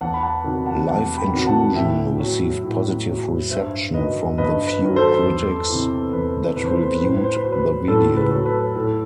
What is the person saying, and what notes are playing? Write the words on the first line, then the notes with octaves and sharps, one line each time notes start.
"Live Intrusion" received positive reception from the few critics that reviewed the video.
E2 F#5 A5
B5
F#5 A5
C3 D#3 F#3
F#5 A5
E2 F#5 A5
G5 B5
C3 D#3 F#3
F#5 A5
A2 E5 G5
F#3
A2
F#3
G2 C5 E5
D#3 F#3 B4 D#5
G2 B4 D#5
B4
D#3 F#3
A4 C5
E2
C3 E3
E2 B4
C3 E3 B4
C5
B4
C5
B4
A2 C5
B4
C5
B4
F#3 C5
B4
A2 A4
B4
F#3
B4
A2 A4